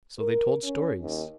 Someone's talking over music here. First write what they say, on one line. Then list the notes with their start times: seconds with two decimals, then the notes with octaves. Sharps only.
So they told stories.
0.19 A#4
0.64 C#4
1.01 D#2